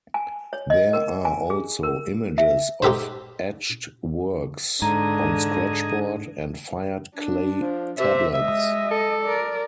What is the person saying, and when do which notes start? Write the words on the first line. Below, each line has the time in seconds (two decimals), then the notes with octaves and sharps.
There are also images of etched works on scratchboard and fired clay tablets.
0.14 G#5
0.53 C#5
0.70 D#5
0.93 A#4
1.25 G#5
1.50 G#4
1.83 A#4
2.38 E5
2.82 D#4 G4 A4 B4 C5
4.82 G#2 D3 G#4 D#5 A#5
7.16 D4
7.60 F3
7.98 C3 E5
8.33 G#3 D#5 E5
8.91 A4
9.22 A#4 D5